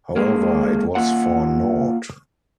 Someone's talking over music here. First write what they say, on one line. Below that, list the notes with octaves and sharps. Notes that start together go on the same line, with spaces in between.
However, it was for naught.
G#3 A#3
A#3 F4 F#5